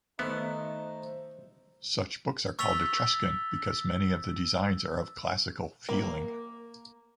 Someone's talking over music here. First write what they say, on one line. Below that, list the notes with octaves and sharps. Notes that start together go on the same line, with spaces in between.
Such books are called Etruscan, because many of the designs are of classical feeling.
D#3 A3 B3 D#4 C5
C#6 E6 A6 B6 F7 G7
A#3